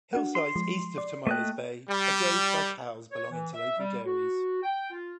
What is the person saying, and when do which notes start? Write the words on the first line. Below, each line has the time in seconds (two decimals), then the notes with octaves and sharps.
Hillsides east of Tomales Bay are grazed by cows belonging to local dairies.
0.13 D4 F#4 F#5
0.35 C6
0.56 F3 G#3
0.98 D5
1.27 A3 A#3 D#5 G5 F#6
1.90 G3
3.12 C#5
3.32 E3
3.54 E5
3.78 G3
4.05 F#4
4.62 G5
4.91 F4